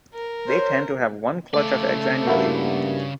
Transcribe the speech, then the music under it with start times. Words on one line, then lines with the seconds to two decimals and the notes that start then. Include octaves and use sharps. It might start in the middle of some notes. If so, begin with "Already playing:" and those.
They tend to have one clutch of eggs annually.
0.14 A#4
0.48 C5 C#5
1.54 C#3 A3 D5
2.27 G2 A#3 E4 F#4